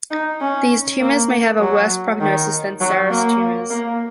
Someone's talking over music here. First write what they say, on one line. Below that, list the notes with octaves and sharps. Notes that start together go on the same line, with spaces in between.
These tumors may have a worse prognosis than serous tumors.
D#4
C#4
A#3
F#3
D#3
F#3
A#3
A#3